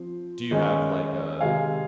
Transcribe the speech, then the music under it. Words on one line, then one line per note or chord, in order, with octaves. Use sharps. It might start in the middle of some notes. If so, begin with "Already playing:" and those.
Do you have like a
Already playing: F3 C4 C5
D#3 G#3 C#4
C3 D#3 G#3 F5 G#5